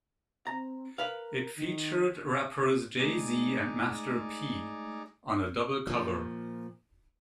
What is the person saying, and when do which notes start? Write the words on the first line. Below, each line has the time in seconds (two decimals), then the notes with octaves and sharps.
It featured rappers Jay-Z and Master P on a double cover.
0.47 C4 A#5
0.98 A#4 B4 F5
1.56 D#3
2.99 G#3 A3 D#4 G#4 D5
5.87 A#2 F3